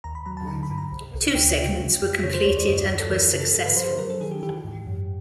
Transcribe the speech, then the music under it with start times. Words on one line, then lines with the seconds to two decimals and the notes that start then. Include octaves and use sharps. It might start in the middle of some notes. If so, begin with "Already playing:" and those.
Two segments were completed and were successful.
0.04 D#2 A#5
0.15 B5
0.26 F#3 A#5
0.37 A5
0.47 D3 A#5
0.63 B5
0.70 G2
0.78 A#5
0.92 C2
1.14 C2
1.35 D2 G5
1.58 C#3
1.79 C#3
2.02 F2
2.23 C#3 C#5
2.34 C5
2.45 D#2 C#5
2.57 D5
2.67 F#2 D#5
2.73 C#5
2.79 D5
2.89 F#2 C#5
3.00 A4
3.10 E3 A#4
3.33 C#3
3.41 A4
3.55 G2 A4
3.66 B4
3.76 F3 C5
3.88 C5
3.98 F#3 A#4
4.10 A4
4.20 D#3 G#4
4.31 G4
4.43 E3 G4
4.64 G#2
4.87 F#2